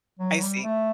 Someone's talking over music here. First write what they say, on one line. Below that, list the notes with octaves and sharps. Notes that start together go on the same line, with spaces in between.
I see.
F#3
F#3
G3
A3